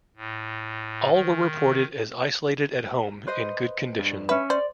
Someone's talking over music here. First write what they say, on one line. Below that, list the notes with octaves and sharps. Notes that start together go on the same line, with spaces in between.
All were reported as isolated at home in good condition.
A2
D#3
B4 C5 D#5
G2
C#4 B4 E5
C5 D5